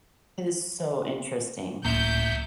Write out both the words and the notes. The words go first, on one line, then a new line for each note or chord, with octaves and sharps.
It is so interesting.
D1 C#2 A2 F#3 A#3 E5 G6